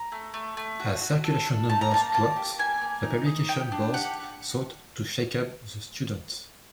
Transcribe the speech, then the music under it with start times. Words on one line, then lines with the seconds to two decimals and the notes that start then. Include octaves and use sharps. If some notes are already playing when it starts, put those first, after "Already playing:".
As circulation numbers dropped, the publications board sought to shake up the Student.
Already playing: A#5
0.12 A3
0.34 A3
0.57 A3
0.80 F#4
1.02 F#4
1.24 A4
1.46 D4
1.69 D#4 A5
1.81 A#5
1.91 A#3 A5
2.14 A#3 A5
2.37 G4
2.59 A#3 G#5
2.81 A#3
3.04 D#4
3.26 D#4
3.48 G4 G5
3.72 D4
3.94 G4 F#5